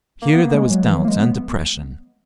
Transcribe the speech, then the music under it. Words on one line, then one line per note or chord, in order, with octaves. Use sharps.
Here there was doubt and depression.
A#3
B3
A#3
G#3
F#3
E3
F#3
A#3
G#3
B3